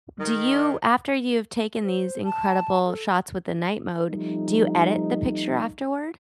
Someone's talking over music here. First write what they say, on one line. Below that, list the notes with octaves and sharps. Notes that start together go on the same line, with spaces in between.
do you after you've taken these incredible shots with the night mode, do you edit the picture afterward?
D#3
C5
A5
A4
F3 G3 A3 C4 D#4